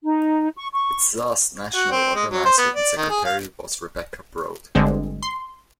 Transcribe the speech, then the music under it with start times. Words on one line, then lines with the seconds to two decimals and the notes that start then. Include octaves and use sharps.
Its last national organiser and secretary was Rebecca Broad.
0.04 D#4
0.57 C#6
0.73 C#6
1.74 F#4
1.91 C4
2.15 G#3
2.30 F#3
2.45 C5
2.57 B3
2.75 D5
2.96 D#3
3.10 G#4
3.24 F5
4.75 G1 D3 G#3 C4
5.23 C6